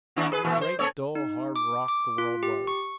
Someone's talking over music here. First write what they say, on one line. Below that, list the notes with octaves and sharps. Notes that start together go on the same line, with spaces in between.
What a great dull hard rock the world was!
D#2 D4 E4
G#4 B4
A#2 E3 A3
C5
A#3 A4 C#5
D#4
D6
D6
F4
G4
C#6